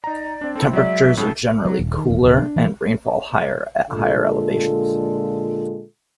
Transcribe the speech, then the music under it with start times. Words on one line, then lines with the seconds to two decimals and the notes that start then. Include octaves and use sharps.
Temperatures are generally cooler and rainfall higher at higher elevations.
0.04 D#4 D5 A#5
0.41 C4 D4
0.55 C4 E4 A4
0.73 F#3 G#3 D5 E5
1.17 A2 C#3 F#3 A4
1.65 F#3
1.79 D#1
1.98 D#3
2.10 E1
2.23 D1
2.38 D4
2.56 E3
3.90 A#2 D3 G#3 F4 A4